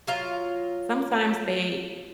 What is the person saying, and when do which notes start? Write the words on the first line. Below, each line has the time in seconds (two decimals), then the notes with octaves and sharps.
Sometimes they
0.07 F#3 F4 A#5